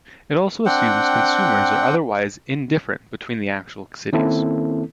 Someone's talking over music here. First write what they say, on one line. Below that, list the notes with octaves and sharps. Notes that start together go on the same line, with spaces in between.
It also assumes consumers are otherwise indifferent between the actual cities.
C4 D4 F#5 G5
D#3 A#3 C4 C#4 E4 A4